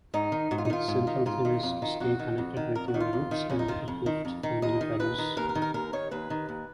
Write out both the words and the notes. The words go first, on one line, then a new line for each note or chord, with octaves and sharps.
Its central theme is to stay connected with your roots and uplift family values.
G#2 D#4
D#3
G#2 F#4
F4
D#4
D#3 F4
G#2
D#3
G#2 F4
D#3
F2
D#3
F2 F#4
D#3
F2
D#3
F2 A#4
F#4
D#3
F4
F2
D#3
F2 C#4
D#4
D#3 F4
F2
D#3
F2
D#3
D#2 D#5
D#3
D#2 B4
D#3
D#2 A#4
A#4
D#3
A#4
D#2 A#4
D#3 C#5
D#2 B4
D#3
D#2